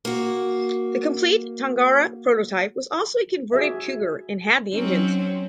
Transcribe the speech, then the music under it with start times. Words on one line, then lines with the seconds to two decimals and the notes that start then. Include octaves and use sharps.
The complete Tangara prototype was also a converted Cougar and had the engines.
0.05 A#3 F#4
3.53 F#4 G#4 E5
4.74 F#3 C4 C#4 D#4